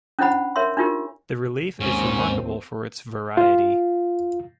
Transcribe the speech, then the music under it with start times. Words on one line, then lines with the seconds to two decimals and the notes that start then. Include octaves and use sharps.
The relief is remarkable for its variety.
0.19 C#4 D4 E4 C5 F#5 B5
0.56 A#4 C#5 E5 C6
0.77 D4 D#4 F4 G4 A#4
1.80 D#2 G#2 C4 C#4
3.37 F4